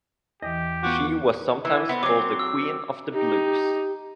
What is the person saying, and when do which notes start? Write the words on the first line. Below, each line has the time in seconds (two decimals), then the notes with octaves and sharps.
She was sometimes called The Queen of the Blues.
0.42 E2 E3 G4 D#5
0.83 B3 F4 F#4 F#5 C#6 D6
1.65 E3
1.89 B3 C4
2.03 F#3 C4 D6
2.39 E6
3.14 D#4 G4